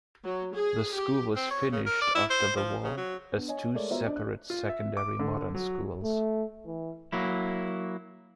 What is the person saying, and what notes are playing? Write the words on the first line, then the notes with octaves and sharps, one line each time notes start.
The School was finished after the war as two separate Secondary Modern Schools.
F#3
G#4
G4
C4
C#5
C#3
A#4
D5
E4
C5
F3
C#3
F#3
B3 D4
C#5 D#5 G#5
G#3 A3 A#4 C#5 D5
B3 F4 F#4 C5 E5 A#5
D4 D5 D#5
F#6
F4
E5
D6
D3
F#3
A3
E3
F#3 A#3 E4